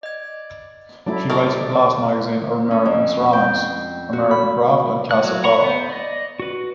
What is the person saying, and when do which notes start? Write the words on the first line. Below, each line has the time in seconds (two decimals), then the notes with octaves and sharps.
She writes for Glass Magazine, American Ceramics, American Craft and Casabella.
0.03 D5 D#5 G#6
1.07 F#3 A3 E4 D5
1.30 E3 A4 A#4 D#5 C#6 D#6
2.71 C#4
2.85 F2
3.33 G5
4.13 F#4
4.31 B5
5.11 A3 F#6
5.24 F#3
5.44 F#5 A#5 B5 C#6
5.64 B3 C5
5.90 D5 D#5
6.40 F#4 B4